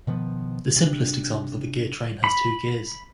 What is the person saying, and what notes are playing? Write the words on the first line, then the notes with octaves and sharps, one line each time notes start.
The simplest example of a gear train has two gears.
B2 D#3 F3 B3
C3 C#4 D4
B5